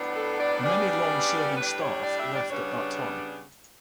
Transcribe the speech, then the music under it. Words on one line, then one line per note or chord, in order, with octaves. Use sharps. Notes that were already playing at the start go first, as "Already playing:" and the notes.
Many long-serving staff left at that time.
Already playing: A2 F#3 B3 D4
A4
D5
C#3 G3 B3 D4 D5
A2 G3 D4 B4
C#5
D5
E5
D5
C#3 G3 B3 D4 C#5